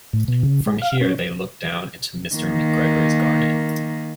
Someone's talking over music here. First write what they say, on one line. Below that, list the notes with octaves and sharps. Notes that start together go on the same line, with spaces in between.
From here they looked down into Mr McGregor's garden.
A2
B2
C#3
G#3
F5
C#4
D#3 A#3